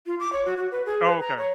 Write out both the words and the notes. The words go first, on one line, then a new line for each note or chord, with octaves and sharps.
Oh, okay.
F4
D6
C#5
F#4
F#4
B4
G#4
B4
A#5
C#5